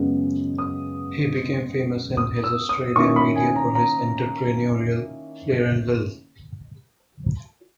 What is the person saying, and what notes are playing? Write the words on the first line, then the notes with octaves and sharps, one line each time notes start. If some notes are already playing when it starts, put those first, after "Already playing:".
He became famous in the Australian media for his entrepreneurial flair and wealth.
Already playing: F#2 C#3 G#3 B3
D#6
D#6
E6
D#6
D#3 A#3 C#4 E4 C#6
B5
G#5
A#5
A#5